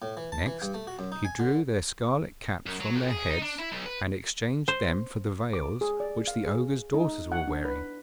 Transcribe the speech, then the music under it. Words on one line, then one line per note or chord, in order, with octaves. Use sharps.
Next he drew their scarlet caps from their heads and exchanged them for the veils which the ogre's daughters were wearing.
A2
E3
A5
E3
G2
A3
F#4
F#2
D#4
G#5
D3
F#2
F#3
F2
G#4
D#4
D4
E4
B1
B4
C5
D6
G#4
D5
F5
G#4
D#4
F#5
D4
B4